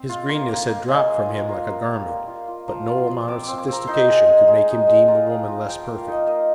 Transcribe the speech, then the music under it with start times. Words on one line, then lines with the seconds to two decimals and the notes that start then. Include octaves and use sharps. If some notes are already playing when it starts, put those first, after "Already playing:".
His greenness had dropped from him like a garment, but no amount of sophistication could make him deem the woman less perfect.
Already playing: C4
0.09 F4
0.29 A#3 C6
0.48 A#3
0.68 A#3
0.88 G#3
1.08 G#3
1.28 F4
1.49 F4 A#5
1.69 A#3
1.88 G3
2.08 A#3
2.28 F4
2.48 F4
2.68 F3 A#5
2.87 F4
2.98 C6
3.07 F3
3.28 C4 D6
3.43 C4 D6
3.58 D6
3.68 C4 A#5
3.87 D#4 C6
4.08 G#3
4.28 G#3
4.48 G#3
4.68 D#4
4.87 G#3
5.08 F4 A#5
5.27 F4
5.48 F4
5.68 F3 G5
5.82 G5
5.88 A#3
5.98 F5
6.07 D#4
6.12 D#5
6.27 A#3 D#5